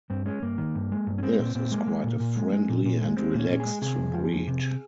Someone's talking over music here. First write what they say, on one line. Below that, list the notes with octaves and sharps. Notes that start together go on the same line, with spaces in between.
This is quite a friendly and relaxed breed.
G2 C4
G#3 C#4
G2 A#3
D#3
G2
G#3
G2
C#4
G#3 C4
A#2 C4
A#2 C4
G#3 A#3
G#3
A#2
A#2
G#3
G#3
A#2
A#2
G#3
G#3 C4
A#2
C#4
A#2
G#4
G#3
C3 G#4
F2
F3
F2
C3